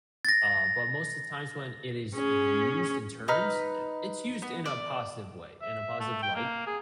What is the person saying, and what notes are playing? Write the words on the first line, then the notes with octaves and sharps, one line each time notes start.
Uh, but most the times when it is used in terms, it it's used in a positive way, in a positive light,
A6 A#6
C#4 G#4
D#4 B4 A#5 F6
B3
D5
E5
A3
G5
A#3
G#4